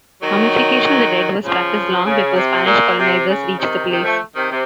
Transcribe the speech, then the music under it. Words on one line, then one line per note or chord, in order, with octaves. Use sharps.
Mummification of the dead was practiced long before Spanish colonizers reached the place.
D#3 F#3
C#3 F3
C#3
C3
A#2
C3
C#3
C3 D#3
C3 D#3
F3 A3
C3 D#3
C3